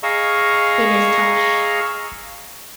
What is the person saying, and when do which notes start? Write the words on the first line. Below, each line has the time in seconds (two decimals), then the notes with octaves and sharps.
It is Tosh.
0.03 G#4 D#5 F5 A#5 C#6 E6